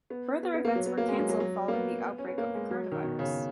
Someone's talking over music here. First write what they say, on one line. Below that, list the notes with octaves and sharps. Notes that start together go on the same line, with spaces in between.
Further events were cancelled following the outbreak of the coronavirus.
B3
B3
B3
A#3
F#3
B3
A#3
G#3
F#3
F#3
F#3
A#3
B3
C#4
B3
A#3
G#3
F#3
D#3
B2
C#3